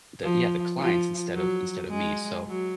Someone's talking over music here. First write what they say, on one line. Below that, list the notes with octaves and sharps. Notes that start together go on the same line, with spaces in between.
the yeah, the clients instead of instead of me, so
F3
F3
F#3
G#3
F#3